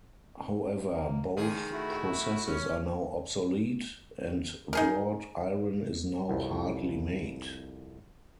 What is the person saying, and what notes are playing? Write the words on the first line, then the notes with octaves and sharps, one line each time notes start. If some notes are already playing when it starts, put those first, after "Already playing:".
However both processes are now obsolete, and wrought iron is now hardly made.
A#3
F2 D#3 G#4
A3 E4 F#4
C#4
D#4 G#4 A#4
C2 F2